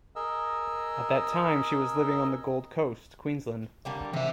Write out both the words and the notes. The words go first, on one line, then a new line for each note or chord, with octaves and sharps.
At that time she was living on the Gold Coast, Queensland.
G#4 A#4 D#5 E6
D3 G3 A#3
C3 D#3 E5